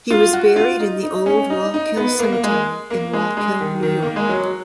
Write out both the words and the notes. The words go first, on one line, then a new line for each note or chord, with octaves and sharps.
He was buried in the Old Wallkill Cemetery in Wallkill, New York.
F4
F#4
F4
D#4
D#4
C#4
D#4
D#4
B3
A#3
A#3
G#3
A#3
G#3
G#3
D#3
D#3
A#3
G#3
F#3